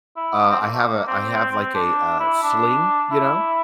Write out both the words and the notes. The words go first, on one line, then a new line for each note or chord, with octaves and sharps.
Uh, I have a I have, like, a, uh, sling, you know?
E4
D4
C4
A#3
A3
A#3
C4
C4
C4
D4
E4
D4
E4